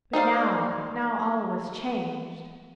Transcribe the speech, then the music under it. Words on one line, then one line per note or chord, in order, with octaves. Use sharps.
But now, now all was changed.
D#4 C5 D5 F5